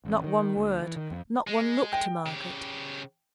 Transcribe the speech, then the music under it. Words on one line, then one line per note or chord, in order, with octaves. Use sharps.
Not one word: not one look to Margaret.
A1
D#3
D2
E3
D#3
F2
G#3
G5
C#3 G4